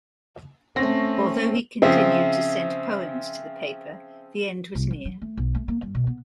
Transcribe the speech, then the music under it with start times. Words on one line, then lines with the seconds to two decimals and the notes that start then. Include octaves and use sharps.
Although he continued to send poems to the paper, the end was near.
0.76 A3 C4 C#4 A#6
1.82 C#3 F3 C4 E5
4.75 C2
4.91 F#3
5.05 F#3
5.22 A3
5.37 B1
5.55 A3
5.68 A#3
5.82 G2
5.95 B2
6.07 B3